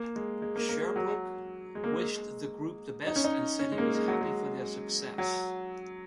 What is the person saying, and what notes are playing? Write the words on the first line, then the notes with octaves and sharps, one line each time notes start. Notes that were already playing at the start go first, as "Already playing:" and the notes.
Sherbrooke wished the group the best and said he was happy for their success.
Already playing: A#3
G#3
G#3
A#3
A#3
G#3
F#3
G#3
A#3
G#3
D#4
C#4
D#4
C#4
G#3
A#3
G#3
F#3
G#3
F#3